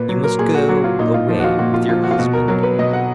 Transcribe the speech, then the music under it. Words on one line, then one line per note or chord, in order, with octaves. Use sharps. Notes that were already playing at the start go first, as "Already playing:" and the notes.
You must go away with your Husband.'
Already playing: A#2 B4
F#3
A#4
A#2 G#4
F#4
F#3 F#4
F4
A#2 D#4
F4
F3 D#4
F#4
F4
A#2 F#4
F4
F3 F4
F#4
F4
B2 F#4
A#4
F#3 A#4
B4
B2 D#5
F#5